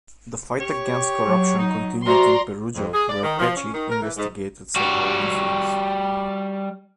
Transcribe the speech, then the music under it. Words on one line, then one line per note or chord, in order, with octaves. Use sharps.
The fight against corruption continued in Perugia, where Pecci investigated several incidents.
G4 C#5
F#3
D#4
C3 F#4 D5 A#5 C6
F2
G#4
D5
D#3
F3
C#4
D#3
A#4
E3
G#2
G3 F#4